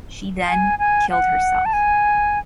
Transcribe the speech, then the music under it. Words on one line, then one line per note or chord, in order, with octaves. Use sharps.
She then killed herself.
G#5
G#5
F#5
A5
G#5